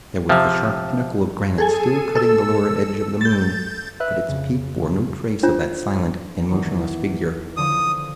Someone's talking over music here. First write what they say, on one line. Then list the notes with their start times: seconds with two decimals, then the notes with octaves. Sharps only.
There was the sharp pinnacle of granite still cutting the lower edge of the moon, but its peak bore no trace of that silent and motionless figure.
0.29 C3 F3
1.58 G#4 A4 G#5
2.15 A4 E6
3.21 G6 A6
4.00 B4 E5 E6 F#6
4.28 F2 C#3
5.43 D4 F4 C5
6.49 E2 D#3 C#7
7.57 D3 F3 D5 D#6